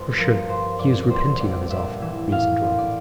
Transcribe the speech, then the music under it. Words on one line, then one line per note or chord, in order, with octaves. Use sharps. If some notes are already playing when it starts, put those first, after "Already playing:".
"For sure, he is repenting of his offer," reasoned Robin.
Already playing: G1 C5
F3 A#4
G2 C5
G1 D5
D5
G1 C5
A#1 D5
A#1 D5 E5
E3 E5
A2 F5
A#1
D5